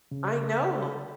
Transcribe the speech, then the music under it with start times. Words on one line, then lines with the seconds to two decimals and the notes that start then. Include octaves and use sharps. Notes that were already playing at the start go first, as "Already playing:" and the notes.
I know.
0.11 C#3